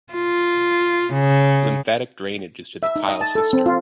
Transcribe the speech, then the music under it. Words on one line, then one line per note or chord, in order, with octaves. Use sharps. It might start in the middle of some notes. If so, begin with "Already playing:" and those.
Lymphatic drainage is to the chyle cistern.
F4
C#3
E5
D#4
D#5
A5
A4
C4
F4